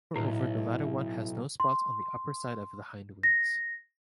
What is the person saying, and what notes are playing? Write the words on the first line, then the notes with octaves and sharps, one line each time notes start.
Moreover the latter one has no spots on the upperside of the hindwings.
B1 A2 E4
C6
A#6